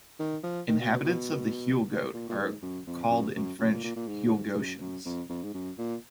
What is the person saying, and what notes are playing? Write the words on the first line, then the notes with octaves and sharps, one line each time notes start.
Inhabitants of Huelgoat are called in French "Huelgoatains".
D#3
F3
D#3
B2
B2
B2
A#2
A#2
G#2
F#2
F2
F#2
F#2
F#2
A#2
A#2
A#2
G#2
F#2
F#2
F2
F2
G#2
F#2
A#2